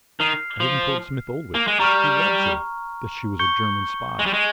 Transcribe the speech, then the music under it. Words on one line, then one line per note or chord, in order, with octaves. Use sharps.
I even told Smith-Oldwick, who loves her, that she was a German spy.
D#3 F6 C7 F7
F3
A#3
G#3
G3 A#5 C#6 F6
C#6 G6 C#7 G7
G#3
G3
G#3